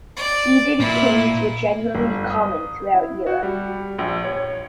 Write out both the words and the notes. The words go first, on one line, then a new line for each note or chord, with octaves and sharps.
Seated kings were generally common throughout Europe.
D5
A#2 E4
G1
D#6
E4
F#4
G3
A#1
C#5